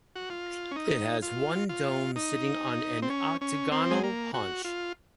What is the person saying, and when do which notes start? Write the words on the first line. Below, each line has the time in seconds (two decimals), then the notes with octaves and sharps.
It has one dome sitting on an octagonal haunch.
0.15 F#4
0.30 F4
0.71 C#4
0.76 D#4
1.22 F4
1.69 F4
2.16 D#4
3.02 C4
3.10 C#4
3.41 C#4
3.72 C4
3.91 G#3
4.03 A#3
4.34 F#4
4.65 F4